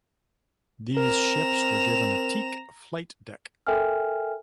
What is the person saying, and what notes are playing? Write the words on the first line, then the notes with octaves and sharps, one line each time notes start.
These ships were given a teak flight deck.
C4 A#4 A#5 E7 F7
A4 A#4 E5 G5 G#5 F6